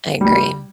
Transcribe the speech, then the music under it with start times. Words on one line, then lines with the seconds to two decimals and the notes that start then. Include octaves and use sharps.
I agree.
0.21 G3